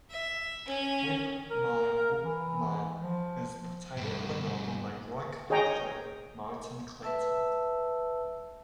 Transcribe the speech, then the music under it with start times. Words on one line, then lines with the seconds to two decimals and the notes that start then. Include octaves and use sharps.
"Whip-Ma-Whop-Ma" is the title of a novel by York author Martyn Clayton.
0.10 E5
0.67 C#4
1.51 A#4
2.24 E3
3.02 F3
3.97 G2 B2
5.50 G#4 C#5 D#5 G5 A#5
7.03 B4 E5 A5 E6